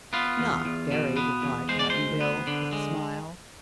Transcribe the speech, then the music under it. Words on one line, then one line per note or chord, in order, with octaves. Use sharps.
"Not very," replied Cap'n Bill, with a smile.
B3 F4
E2
E2
B2
B3
E2
G#3 C5
D5
D2 C5
B3
D3
G#3